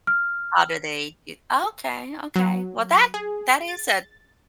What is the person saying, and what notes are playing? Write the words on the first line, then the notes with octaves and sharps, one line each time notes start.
how do they ge Okay, okay, well, that that is a
F6
F#3
G#4
A6